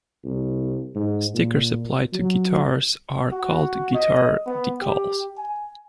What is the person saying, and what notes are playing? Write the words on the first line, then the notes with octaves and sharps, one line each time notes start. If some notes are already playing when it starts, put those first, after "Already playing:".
Stickers applied to guitars are called guitar decals.
C2
G#2
A#2
F#3
F#4
D#5
B3
G4
G#5